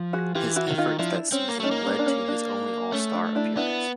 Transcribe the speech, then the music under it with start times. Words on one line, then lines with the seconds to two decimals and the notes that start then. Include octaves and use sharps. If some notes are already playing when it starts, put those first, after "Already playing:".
His efforts that season led to his only All-Star appearance.
Already playing: F3
0.13 F#4 G#4
0.35 E3 F4 G4
0.56 E4 F#4
0.68 D#3
0.78 D#4 F4
0.99 F3 D4 E4
1.32 C4 C#4
1.48 A#3
1.60 A3 C#4 D#4
1.71 A#3
1.85 C#4
1.99 D4
2.06 C#4
2.28 D4
2.92 A3 C#4
3.14 D4
3.35 D4 E4
3.56 B3 D4 E4